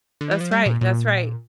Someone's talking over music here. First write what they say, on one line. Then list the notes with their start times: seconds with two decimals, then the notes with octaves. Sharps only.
That's right, that's right.
0.21 D3
0.31 E3
0.41 F3
0.51 G3
0.66 A#2
0.81 A#2